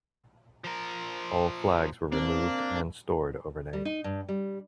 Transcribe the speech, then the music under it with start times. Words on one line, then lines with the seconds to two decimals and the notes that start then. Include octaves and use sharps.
All flags were removed and stored overnight.
0.64 F3 A#4
2.12 A#3 C4 D4
3.73 G3
3.85 D#4
4.04 G2
4.28 G3